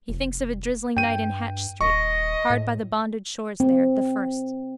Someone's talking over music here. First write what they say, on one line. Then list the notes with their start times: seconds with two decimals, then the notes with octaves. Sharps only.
He thinks of a drizzling night in Hatch street, hard by the bonded stores there, the first.
0.09 F1
0.97 G2 G5 D#7
1.81 D#1 D#5 C#6
2.50 A2
3.60 C4